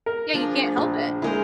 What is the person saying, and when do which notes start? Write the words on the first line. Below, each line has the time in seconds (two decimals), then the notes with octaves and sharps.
Yeah, you can't help it.
0.06 A#4
0.34 F3 D4 G#4
0.77 A#1
1.22 G#3 A#3 E4 G#4 A#4 C5